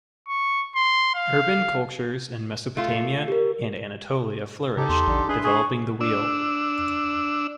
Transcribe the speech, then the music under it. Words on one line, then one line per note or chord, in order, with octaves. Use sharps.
Urban cultures in Mesopotamia and Anatolia flourished, developing the wheel.
C#6
C6
F5
A3 F4
G4 A#4
C#3 D#4 G4 A4
E2 C6
A#1 D3
D4 G#4 B4 E5 C6
G#4 C#6
D4 E6